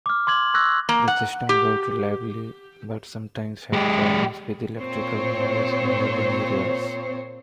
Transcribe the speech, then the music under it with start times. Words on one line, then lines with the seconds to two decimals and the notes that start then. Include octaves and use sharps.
The system worked reliably but sometimes had problems with electrical noise in urban areas.
0.06 D6 F6
0.27 C6 D6 G#6 F#7
0.54 C#6 E6 F#6 G#6 A#6
0.89 A#3
1.08 F#5
1.49 G4
3.73 G#3 G4
4.77 A#2 C4 C5 C#5